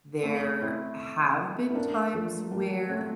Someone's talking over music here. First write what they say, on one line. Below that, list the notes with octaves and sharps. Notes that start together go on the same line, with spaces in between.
there have been times where
A3 C4
C4 E4
E4
A#3 D4
F3 A3
G3 A#3
A3 C4